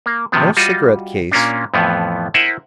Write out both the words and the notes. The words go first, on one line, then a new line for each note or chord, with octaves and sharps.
No cigarette case....
A#3
A2 C3 D#3 F3 B3
G3 F4 F#4 D#5
A#2 A#3 C#4 D4
F2 A2 E3 F3 B3
E4 A#4 C5 E5 F#5 G#5